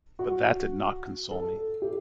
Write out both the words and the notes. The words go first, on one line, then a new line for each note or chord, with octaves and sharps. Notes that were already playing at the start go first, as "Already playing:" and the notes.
But that did not console me.
F#4
A4
G4